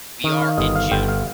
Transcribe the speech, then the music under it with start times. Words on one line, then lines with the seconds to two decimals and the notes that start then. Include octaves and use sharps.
We are in June.
0.24 D#3
0.42 F5
0.57 G1 D#5
0.76 F5
0.91 G1 G5
1.08 F5